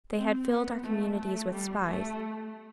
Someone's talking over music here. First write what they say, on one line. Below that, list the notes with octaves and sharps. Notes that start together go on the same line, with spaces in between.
They had filled our communities with spies.
C4
B3
A3
A3
G3
A3